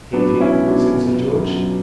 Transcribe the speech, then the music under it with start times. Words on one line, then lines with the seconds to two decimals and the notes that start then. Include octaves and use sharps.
"He did," said Sir George.
0.13 F#3 B3 D4
0.34 B2
0.40 C#4 E4
0.54 C#2
0.67 D4 F#4
0.75 B2
0.95 G1
1.15 F#2
1.35 F#2
1.56 F#3